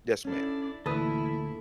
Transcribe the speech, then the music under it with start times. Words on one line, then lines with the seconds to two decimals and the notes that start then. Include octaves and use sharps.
Yes, ma'am.
0.25 C#4 D4 E4 A4 D5
0.86 D2 A#2 E3 E4 A4 B4 D#6